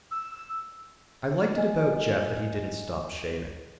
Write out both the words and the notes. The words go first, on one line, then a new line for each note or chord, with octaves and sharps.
I liked it about Jeff that he didn't stop shaving.
E6
D#5 G#5